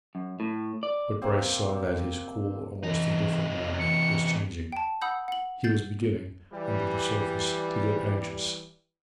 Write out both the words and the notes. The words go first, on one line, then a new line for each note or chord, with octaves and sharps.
But Bryce saw that his cool, almost indifferent manner was changing--he was beginning, under the surface, to get anxious.
F#2
A2
D5
C3 A#3 C4 C5
C3 E3 D#4
E3 C#7
G5 A5
F#5 B5 D#6 E6 G6
F#5 F#7
G6 A6 C7
E3 G3